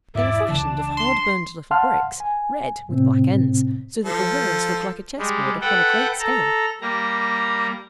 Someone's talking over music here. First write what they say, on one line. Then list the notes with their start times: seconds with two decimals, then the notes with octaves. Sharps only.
They are fashioned of hard-burned little bricks, red, with black ends, so that the walls look like a chess-board upon a great scale.
0.15 E1 G#2 E4 D5 E5
0.49 C#2 C#3 E3 D4 A5
0.97 C6
1.71 F5 F#5 A5 C6 F6
2.20 G#5
2.89 A2 C3 C4
4.05 F3 A4
5.18 G3 G#3
5.61 A4 B4 F#5 G5
6.19 A4 A#5
6.81 G3 A#3 A#5